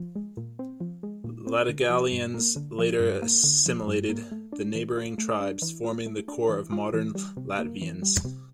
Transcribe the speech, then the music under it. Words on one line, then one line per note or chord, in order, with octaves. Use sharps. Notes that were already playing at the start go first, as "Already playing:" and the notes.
Latgalians later assimilated the neighbouring tribes, forming the core of modern Latvians.
Already playing: F3
G#3
A#2
C4
F3
G#3
A#2
C4
D3
F3
G2
A#3
D3
F3
G2
A#3
D3
F3
G2
A#3
A3
D4
E3
F4
A3
D4
E3
F4
A3
D4
E3
F4
E3
G3
C3
A#3
E3
G3
C3